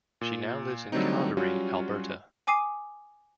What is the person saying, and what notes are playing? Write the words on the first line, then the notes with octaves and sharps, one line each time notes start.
She now lives in Calgary, Alberta.
A#2
D3 F#3 G3 A3 C4 D#4
F#3 G3 C#4 F4 F#4
G5 G#5 D6 D#6 C7 D#7